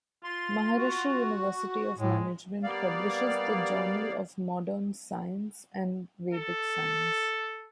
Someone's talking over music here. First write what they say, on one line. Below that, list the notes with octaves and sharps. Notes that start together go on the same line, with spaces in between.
Maharishi University of Management publishes the "Journal of Modern Science and Vedic Science".
F4 C6
F#4
A2 G#3
G3 A#3 B3 D5 F5
A4